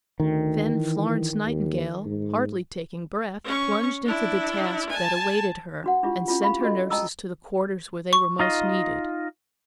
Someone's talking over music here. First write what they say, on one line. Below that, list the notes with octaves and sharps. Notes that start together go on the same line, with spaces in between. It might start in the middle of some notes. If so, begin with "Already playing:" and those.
Then Florence Nightingale, hardly taking breath, plunged into the task that awaited her and sent her nurses to the quarters where they were most needed.
D2 D#3
E3
D#2
G#2
C#4 C#6
D4 E4
G#5 A5
D4 F#4 F#5
D4 E4 F4 G4
C#4 D4 E4 F4
G4 F5 B5
D4 F#4 A4 D#5
D#5 G5 A5 A#5 D#6 E6
C#6
D#4 F4 D#5